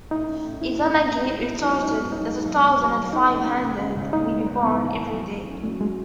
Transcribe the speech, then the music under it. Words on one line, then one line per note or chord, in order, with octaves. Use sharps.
Izanagi retorted that a thousand and five hundred will be born every day.
A2 D#4
C#4
A2
C#4 E4
A2
A2
B3
E4
B3
F#3 D#4
C#4
G#2 D#4
B3
B1 D#4
G#3
B1
B2
B1
B1
A3 D#4
C#3
A3
C#3
C#3
C#2
C#4
B3 D#4
B3
G#2
E3 B3
E3
E3
B1
B1
C#4
F#3 A3
F#3 G#3